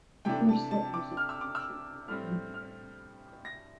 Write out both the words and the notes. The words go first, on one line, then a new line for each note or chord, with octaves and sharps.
The first settlers in the township were a family by the name of Krum.
C3 E3 A3 D4 G5
A5
A5
D6
F6
E6
D6
E6
A2 G3 C4 F6
F6
A#6